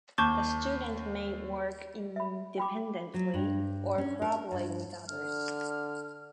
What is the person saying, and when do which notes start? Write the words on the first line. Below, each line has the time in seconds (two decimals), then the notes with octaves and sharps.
The student may work independently or collaborate with others.
0.18 D#2 A5 C#6 D6 G6
2.16 E5 B5
2.58 G5 B5 D6
3.14 F#3
3.34 G2
3.98 C#4
4.22 A#4
4.52 G2
5.08 D3 F6